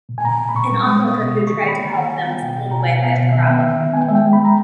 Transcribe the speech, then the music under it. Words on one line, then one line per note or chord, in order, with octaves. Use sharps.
An onlooker who tried to help them was pulled away by the crowd.
A#2
G#5
A#2 A#5
A#2
B5
A#2 C#6
G3
C#6
G#3 D#6
B3
B2
G#3
D#3 C#6
A#3 B5
D#3
A#5
D#3
G3 G#5
B3
G5
B2
G5
B2
B2 A#5
G#5
B2 G5
B3 G#5
B2
D#3 E5
B3 G5
D#3 E5
D#3
B3 G#5
G5
G#3 E5
G5
G#3
B5
G#3 A#5